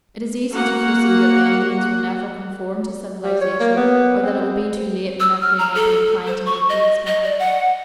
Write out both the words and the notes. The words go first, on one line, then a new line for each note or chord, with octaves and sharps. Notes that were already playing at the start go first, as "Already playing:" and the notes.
It is easy to foresee that the Indians will never conform to civilization; or that it will be too late, whenever they may be inclined to make the experiment.
A#3 F#4 F#5
G3
C#5
A#3
B3
C4
E6
F6
A#5
A4
C5
C#6
D#5
D#5
D5
F#5